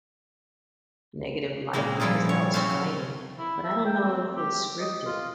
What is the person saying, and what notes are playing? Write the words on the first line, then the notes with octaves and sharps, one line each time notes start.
negative light because they're always fighting, but I don't know if it's scripted.
A#2 C#3 G#3 A#3 C4
F3 G3 E4 F4 G#4
C#5
C4 C#4 F4 C5 F5
F#3
E4
E5
G5
C4
G4
D#5
F4